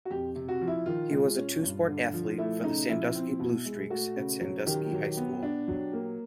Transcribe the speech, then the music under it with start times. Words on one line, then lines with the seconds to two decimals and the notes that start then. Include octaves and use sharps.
He was a two-sport athlete for the Sandusky Blue Streaks at Sandusky High School.
0.05 F#4
0.10 F2 G4
0.35 C3
0.49 F#4
0.61 F3
0.67 E4
0.86 D#3 F4
1.12 G#3
1.37 C#4
1.62 G2
1.88 D3
2.13 F3
2.38 A3 E4
2.63 C#3 D#4
2.89 F3 E4
3.15 C4
3.40 B2
3.65 G#3
3.90 A3 F#4
4.16 C#3
4.41 F#3
4.66 D#3 G4
4.92 F#3
5.17 B3
5.43 D4
5.68 F#3
5.93 A#3